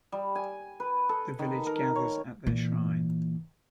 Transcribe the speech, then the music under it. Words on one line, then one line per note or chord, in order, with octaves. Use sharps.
The village gathers at their shrine.
G3
G#5
B4
A4
D#3
A#4
C#5
A#2 E3